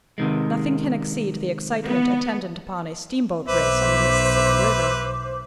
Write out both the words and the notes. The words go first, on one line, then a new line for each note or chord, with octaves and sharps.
Nothing can exceed the excitement attendant upon a steamboat race on the Mississippi river.
C3 D#3 G#3
B3
B1 B4 C5 E5 D6